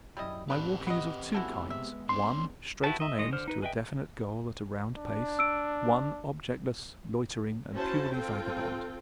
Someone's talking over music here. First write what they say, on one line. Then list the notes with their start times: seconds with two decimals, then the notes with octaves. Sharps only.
My walking is of two kinds: one, straight on end to a definite goal at a round pace; one, objectless, loitering, and purely vagabond.
0.17 F#2 G3 E4 D#5
0.50 A1 B3 C4 D4 G4 B4
0.87 B3 D#5
1.34 E3 G#3 B3 F#4 A4
1.70 E5
2.09 C4 D4 C6
2.84 E4 F#4 G4 B4 A5
3.00 D#5 E5
3.18 D#3 G#3 D#5
3.32 D3 C5 F6
3.48 D#4 B4
3.62 G#4 B4 D#5 E5 G5
4.97 D4
5.39 E6 D7
7.73 C#4 E4 F#4 C5 A5
8.14 C4 F4 A4 G5